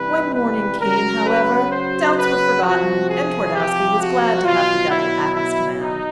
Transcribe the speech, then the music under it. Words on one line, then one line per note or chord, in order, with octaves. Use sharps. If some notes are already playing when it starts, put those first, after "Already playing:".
When morning came, however, doubts were forgotten, and Twardowski was glad to have the devil at his command.
Already playing: C3 E3 G3 B4
B4
C#3 F#3 A#4
B4
C5
B4
C3 F3 F#4
G#4
G4
F#4
B2 F#3 F4
E4
E4
D#4